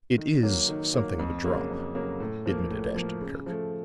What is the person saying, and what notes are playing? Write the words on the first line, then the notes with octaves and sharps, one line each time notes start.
"It is something of a drop," admitted Ashton-Kirk.
D#3
F#3 A#3
D#3
F#3 A#3
F2
C#3 F#3 A#3
F2
C#3 F#3 A#3
A2
F3 A#3
A2
F3 A#3
C#3
F3 A3